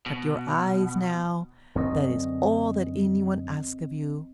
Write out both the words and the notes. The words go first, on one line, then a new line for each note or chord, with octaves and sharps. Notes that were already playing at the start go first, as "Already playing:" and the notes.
Shut your eyes now; that is all that any one asks of you.
B2
F#2 D3 C4 C#4 D#5